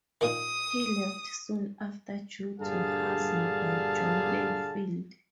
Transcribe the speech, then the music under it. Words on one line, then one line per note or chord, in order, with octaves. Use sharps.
He left soon after due to hazing by John Layfield.
A#2 D#3 D#6
G2 A#2 D3 G#4 F5 A5